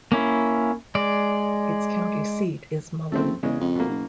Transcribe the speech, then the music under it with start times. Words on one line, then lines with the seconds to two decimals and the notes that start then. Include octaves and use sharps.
Its county seat is Mullen.
0.12 A#3 C#4 E4
0.95 G#3 D5
3.12 F#1 A3 C4
3.43 E2 C#3 G#3
3.60 F2
3.75 B2 A#3
3.89 F#1